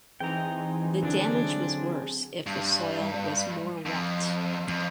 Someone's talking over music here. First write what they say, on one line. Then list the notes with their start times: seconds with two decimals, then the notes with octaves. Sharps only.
The damage was worse if the soil was more wet.
0.20 E3 C4 D#4 G#4 G5 A#5
1.03 D3 F#3 D4
2.47 G2
3.86 F2
4.68 F2